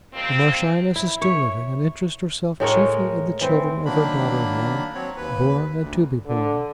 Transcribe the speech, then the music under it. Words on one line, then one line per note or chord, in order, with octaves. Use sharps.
The Marchioness is still living, and interests herself chiefly in the children of her daughter-in-law,--born, and to be born.
D#3 F3 G3 A#3 C4
E4
C#5 E5
A2 G#3 A#4 C#5
E3 C4
D#3 F#3 A#3 D4 B5
F#3 C4 C#5
D#2 B4
D2
D3